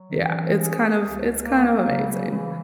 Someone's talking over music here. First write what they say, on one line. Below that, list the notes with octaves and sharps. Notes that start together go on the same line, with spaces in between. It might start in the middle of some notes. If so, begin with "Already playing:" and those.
Yeah, it's kind of it's kind of amazing,
Already playing: F#3
D#3
E3 C#4
G#4
C#2
A#3
C#3 F#3
G#3
F#3
E3